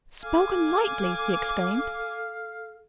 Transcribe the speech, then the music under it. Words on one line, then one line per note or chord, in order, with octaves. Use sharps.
"Spoken lightly!" he exclaimed.
A4 F5 G#5 D6